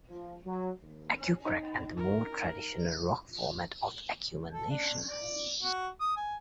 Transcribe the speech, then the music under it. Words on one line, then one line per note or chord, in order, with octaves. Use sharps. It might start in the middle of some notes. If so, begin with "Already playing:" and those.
Acucrack, and the more traditional rock format of Acumen Nation.
F3
F#3
D#2
D#4
A#4
A4
D4
D5
F#4
D#6
G#5